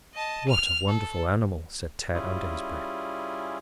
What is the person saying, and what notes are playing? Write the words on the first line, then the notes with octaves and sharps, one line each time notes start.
"What a wonderful animal!" said Tad under his breath.
D#5 A5
F6 F7
A4
G3 C#4 E4 F4 G#4